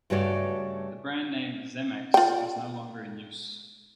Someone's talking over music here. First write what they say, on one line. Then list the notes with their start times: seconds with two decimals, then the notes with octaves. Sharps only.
The brand name "Zemmix" is no longer in use.
0.10 G2 C#3 A3 F#4 C#5 D5
2.14 F4 G5